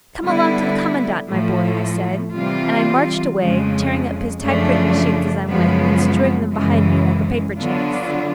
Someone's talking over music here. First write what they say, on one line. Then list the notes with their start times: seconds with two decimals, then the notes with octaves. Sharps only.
'Come along to the commandant, my boy,' I said, and I marched away, tearing up his typewritten sheets as I went and strewing them behind me like a paper chase.
0.23 D3 G3 B3 E4
1.29 A2 F3 A3
2.33 C3 E3 G3 C4 F4
3.38 F2 C#3 F3 G#3
4.42 F#2 C#3 F3 A3 D4
5.47 F#2 C#3 F3 G#3 B3
6.52 F#2 C#3 E3 G#3
7.57 D3 F#3 B3 D4 F4